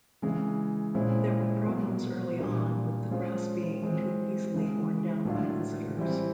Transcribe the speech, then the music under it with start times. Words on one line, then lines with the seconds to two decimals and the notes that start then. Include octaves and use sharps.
There were problems early-on with the grass being too easily worn down by visitors.
0.22 C#3 E3 G#3
0.94 A#2 F3 G#3 C#4 E4
1.66 B2 F#3 A#3
2.38 A#2 G3 A#3 D4 F4
3.10 F3 G#3 C#4 F4
3.81 E3 G#3 C4
4.54 C#3 E3 G#3
5.25 A2 F#3 A3 D4 F4
5.97 E3 G3 C4 E4